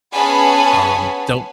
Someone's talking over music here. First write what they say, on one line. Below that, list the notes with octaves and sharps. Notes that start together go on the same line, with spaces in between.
um, don't
B3 C#4 G#4 G#5 A5 B5